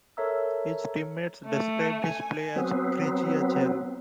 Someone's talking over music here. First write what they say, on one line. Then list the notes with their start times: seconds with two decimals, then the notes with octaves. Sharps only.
His teammates described his play as "crazy as hell".
0.17 A4 A#4 C#5 E5 A#5 E6
1.46 A3
2.04 G#5
2.56 F#3 B3 C4